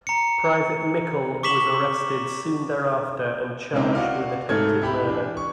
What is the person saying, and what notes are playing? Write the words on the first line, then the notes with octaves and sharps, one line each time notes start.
Private Mikel was arrested soon thereafter and charged with attempted murder.
A#5 C#7
C#6 D6 B6 E7 F#7
C#3 G#3 A#3 C4 D#4 E4
F#4 D5 F5
G#2 A3 A4 F6 G#6
E4 G4 B5
E3 D4
C#6